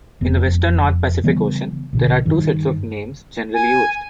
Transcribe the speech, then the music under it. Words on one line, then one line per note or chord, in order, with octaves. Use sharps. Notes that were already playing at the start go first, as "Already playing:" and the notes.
In the Western North Pacific ocean, there are two sets of names generally used.
F1 E2 B3
C#3 E3 G3 B3
A#1 B2 D3
G2 D#3
G#5